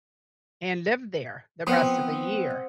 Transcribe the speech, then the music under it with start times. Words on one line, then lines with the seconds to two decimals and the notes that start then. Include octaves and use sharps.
and live there the rest of the year.
1.67 F3 B3 C4 C5 F#5 D#6